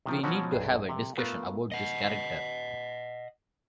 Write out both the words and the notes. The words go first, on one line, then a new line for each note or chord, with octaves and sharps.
We need to have a discussion about this character.
C3 D#3 F3
B2 F3 F#3 C#4 F#4
B1 G2 G#4
C3
A3 B3 F4 A#4
D#5 F#5